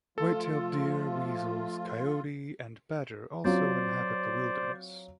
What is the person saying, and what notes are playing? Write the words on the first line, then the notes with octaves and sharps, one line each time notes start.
White-tailed deer, weasels, coyote and badger also inhabit the wilderness.
F3 A3 F4 A4
F#3 C4 F4 C5 D5